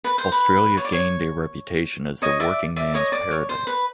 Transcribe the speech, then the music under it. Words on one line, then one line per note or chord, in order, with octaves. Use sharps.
Australia gained a reputation as the working man's paradise.
B4
C5
B4
C#5
D5
C#5
C#5 D#5
D5 E5
D5 E5
C#5 D#5
D5
C#5
C5
B4